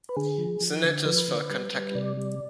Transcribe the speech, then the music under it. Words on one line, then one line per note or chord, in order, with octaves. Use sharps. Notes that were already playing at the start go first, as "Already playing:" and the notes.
Senators for Kentucky.
B4
D3 G#4
F3
F3
D3
F3 B4
D3
G3
G3
C3 D5
G3